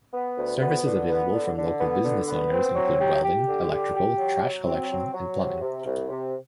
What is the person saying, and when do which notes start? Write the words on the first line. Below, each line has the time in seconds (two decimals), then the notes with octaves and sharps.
Services available from local business owners include welding, electrical, trash collection, and plumbing.
0.14 B3
0.37 D2
0.61 B3
0.85 D3
1.09 B3
1.33 D3
1.56 D3
1.80 B3
2.04 D3
2.28 B3
2.51 C4
2.75 F#3
3.00 G4
3.24 G4
3.47 D3
3.71 G4
3.94 G4
4.18 F#3
4.42 F#3
4.66 C4
4.90 F#3
5.14 F#3
5.37 C3
5.61 C3
5.85 C2
6.09 C3